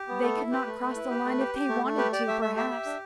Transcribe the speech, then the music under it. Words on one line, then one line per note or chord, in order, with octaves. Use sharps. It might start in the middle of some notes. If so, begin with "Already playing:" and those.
They could not cross the line if they wanted to, perhaps.
Already playing: G4
B3
A3 A4
E4
G4 B4
A3
A3
E4
G4
A3
G4
G4
A3
A3
G4 B4
G4 D5
A3 E5
A3 E5
G4 E5
G4
D4